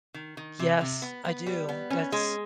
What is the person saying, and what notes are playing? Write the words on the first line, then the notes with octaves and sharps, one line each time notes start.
Yes. I do. That's
D#3
D#3
C3
C3
B3
B3
G3
B3
C#4
G#3